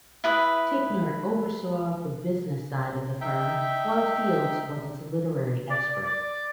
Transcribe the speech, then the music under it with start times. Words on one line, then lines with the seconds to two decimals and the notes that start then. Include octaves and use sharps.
Ticknor oversaw the business side of the firm while Fields was its literary expert.
0.24 E4 B4 D#6
3.21 D#4 E5 G5
5.70 D5
6.03 D5